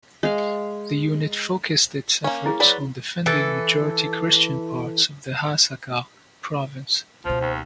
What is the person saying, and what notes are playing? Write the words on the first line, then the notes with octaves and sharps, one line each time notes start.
The unit focused its efforts on defending majority Christian parts of the Hasakah province.
G#3 F5
A#3 C#4
E4 G#4
F#3 B4 D5
E3 A4
C#2 B2 F3 C5
D#2